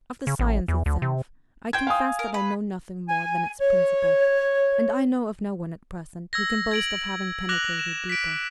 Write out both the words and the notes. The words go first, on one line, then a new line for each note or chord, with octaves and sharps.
Of the science itself, I confess that I know nothing more than its principle; and I know of no one at present who can boast of having penetrated deeper.
C#3
A1
E2
D2
C3
C5 G5 G#6
F5 G#5 D#6
A#4
B4
G#5
C#5
E6 G#6 A#6
G#6 D7 F#7
D6 F#6 A#6 F7 F#7
E7
B6 D7